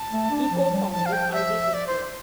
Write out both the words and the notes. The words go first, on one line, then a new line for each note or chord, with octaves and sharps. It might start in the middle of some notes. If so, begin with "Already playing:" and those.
He co-founded id Software.
Already playing: A5
A3
D4
F3
G3
F3 A5
F5
G5
E5
D5
C5